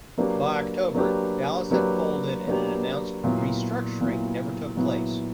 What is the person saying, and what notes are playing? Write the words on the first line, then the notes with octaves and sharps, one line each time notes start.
By October, Dallas had folded and an announced "restructuring" never took place.
F#3 A#3 D4 G4 B4
F#3 A#3 D4 G4 B4
F#3 A#3 D4 G4 B4
F#3 A#3 D4 G4 B4
A#2 F#3 B3 E4
A#2 F#3 B3 E4
A#2 F#3 B3 E4